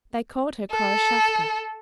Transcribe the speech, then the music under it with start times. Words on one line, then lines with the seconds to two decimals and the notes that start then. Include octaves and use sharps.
They called her Khoroshavka.
0.71 A4